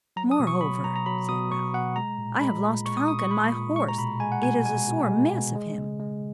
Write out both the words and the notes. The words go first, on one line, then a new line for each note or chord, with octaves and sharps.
"Moreover," said Ralph, "I have lost Falcon my horse; it is a sore miss of him."
F#3 A#5
D#6
B2
C#6
F#3 B5
B2 A#5
A#5
F#3 B5
B2 D#6
F#3 C#6
B2 F#5
G#3 A#5
A#2
G#3 B5
A#2
G#3 C#6
D#6
A#2 D#6
C#6
G#3 B5
A#2
G#3 C#6
A#5
B2 B5
G#3 G#5
F#5
B2 G#5
G#3 G#5
B2
G#3
B2
G#3
C#3
G#3